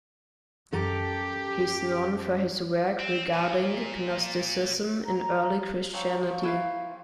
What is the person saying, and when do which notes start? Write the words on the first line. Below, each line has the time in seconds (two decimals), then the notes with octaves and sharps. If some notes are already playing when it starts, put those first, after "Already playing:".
He is known for his work regarding Gnosticism in early Christianity.
0.73 F#2 G4 A4 A#5
2.99 C4
3.34 A#2
5.06 A#5
5.93 F3 F#3 G5
6.27 F3 C#6
6.43 E4 B4 F5